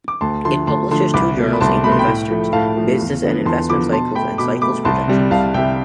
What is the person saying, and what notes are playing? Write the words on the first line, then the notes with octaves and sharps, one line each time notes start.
It publishes two journals aimed at investors, "Business and Investment Cycles" and "Cycles Projections".
D6
D2 A5 C6
D3 F3 A3 A5 C6
D2 A5 C6
D3 F3 A3 A5 C6
C2 B5 D6
B2 A3
B5
C2 A5 C6
B2 A3 B5
C6
G5 B5
A2
F3 A3
A2 F5 A5
F3 A3
E2
D3 F3 B3
E2 A5 C6
D3 F3 B3 B5 D6
B2 A5 C6
A3 G5 B5
B2 B5 D6
A3 B5 D6
C2 A5 C6
C3 G3
C2 F5 A5
C3 G3 E5 G5